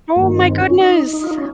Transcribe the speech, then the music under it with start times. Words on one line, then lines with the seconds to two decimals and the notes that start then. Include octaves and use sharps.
Oh my goodness,
0.16 G2 D#3 A#3
0.38 C4
0.59 C#4
0.81 D#4
1.13 D#4
1.24 F4
1.31 D#4
1.38 C#4